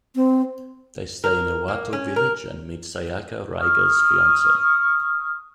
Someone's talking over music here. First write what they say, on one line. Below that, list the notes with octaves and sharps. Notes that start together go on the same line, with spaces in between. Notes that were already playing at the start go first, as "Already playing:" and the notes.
They stay in Iwato village and meet Sayaka, Raigar's fiancee.
C4
A#4
A#3
C#4
A#4
C#6 D#6 F6